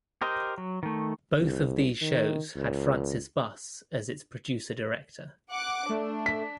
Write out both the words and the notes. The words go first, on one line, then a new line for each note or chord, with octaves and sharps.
Both of these shows had Frances Buss as its producer-director.
G4 A#4 C5 D#5
F#3
D#3 A3
C2
D#3
C#2
F#5 D6 F#6
A3 D4
B6